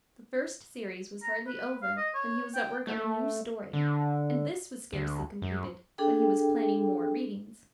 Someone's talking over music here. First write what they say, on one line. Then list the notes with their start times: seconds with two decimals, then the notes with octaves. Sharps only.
The first series was hardly over, when he was at work on a new story, and this was scarcely completed when he was planning more readings.
1.23 A#5
1.47 B4
1.82 F5
1.97 D#5
2.15 C#5
2.55 G5
2.87 A3
3.73 D3
4.93 D2
5.42 F#2
5.98 D4 G#4 A4 G5